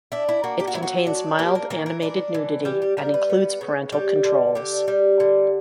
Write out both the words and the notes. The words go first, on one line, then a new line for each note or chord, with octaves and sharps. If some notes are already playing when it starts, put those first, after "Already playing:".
It contains mild animated nudity and includes parental controls.
D4 E4
E4
A#3 F#4
G4
F#4
F#3 E4
F#4
D4
A#3 G4
A#4
E3 A#4
A#4
D4 A#4
E3
G3 G4
G4
G3 A#4
B4
B3
C#3
G3 G4
D3
D3 G4
G3
D3